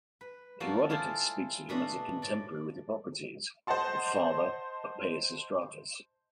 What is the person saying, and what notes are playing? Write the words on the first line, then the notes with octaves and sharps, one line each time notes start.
Herodotus speaks of him as contemporary with Hippocrates, the father of Peisistratus.
B4
F3 A#3 F#4 A4 D5
E4 F4 G#4 A4 C5 D5
B2 A3 D4 D#5 B5
A2 D5
C5 D#5 F#5 A5 C6